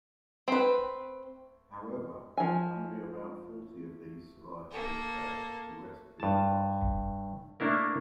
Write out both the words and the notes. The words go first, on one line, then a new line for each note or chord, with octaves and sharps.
However, only about forty of these survived to this day, the rest being lost.
C4 B4
F3 G#5
A#3 A4
G2 A5
A3 A#3 D4 E4 A#4